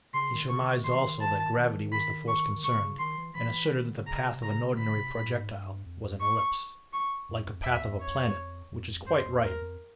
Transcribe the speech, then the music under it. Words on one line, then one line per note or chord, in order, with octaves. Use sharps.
He surmised also that gravity was the force concerned, and asserted that the path of an ordinary projectile was an ellipse, like the path of a planet--which is quite right.
C#3 C6
D#3
D3
C#3 C#6
D3
D#3 C6
E3
D#3
A5
D#3
D#3 B5
C#6
D#3
D3 C#6
C#3
D#3 C6
E3
E3 B5
D#3
D#3
D3
C#3 A#5
C3
C#3 A#5
D3 B5
C3
A2
G#2
G2
F2
F2
C#6
C#6
F2
E2 E5
F2
C#5
F2
F#2 C5
F2
E2 A#4
F2